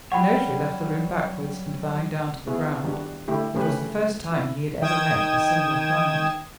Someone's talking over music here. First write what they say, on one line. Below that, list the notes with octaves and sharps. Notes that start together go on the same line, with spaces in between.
The notary left the room backwards, and bowing down to the ground; it was the first time he had ever met a similar client.
F#3 G3 C#5 F#5 G5 B5
B3 E4 G#4
D#3 G3 D4 F#4
D3 A3 E4 G4
C#3 A3 C#4 G4 B4
E4
D#3 G5 D#6 G#6 E7